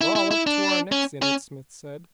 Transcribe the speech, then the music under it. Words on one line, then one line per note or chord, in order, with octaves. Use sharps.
"We're all up to our necks in it," Smith said.
E4
E4
E4
D4
C#4
C#4